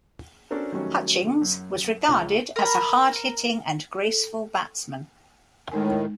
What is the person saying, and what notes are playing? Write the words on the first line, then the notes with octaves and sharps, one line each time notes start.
Hutchings was regarded as a hard hitting and graceful batsman.
C#4 D4 F#4 A4 A#4 C5
D#3 F#3 G3 A3 C#4
D3
F#2
C#2
A#4 B5
A4
A2 D#3 G#3 D#4 G#5